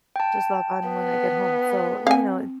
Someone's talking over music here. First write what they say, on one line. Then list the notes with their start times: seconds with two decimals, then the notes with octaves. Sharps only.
Just log on when I get home, so, you know
0.16 G5 A5
0.89 B3
2.07 C4 F5 G#5